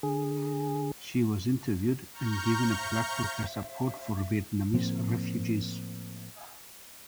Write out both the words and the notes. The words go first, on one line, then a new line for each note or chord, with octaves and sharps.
She was interviewed and given a plaque for her support for Vietnamese refugees.
D3 G#4
A#5 C#6 F6 G6
A2 F3 A#3 C4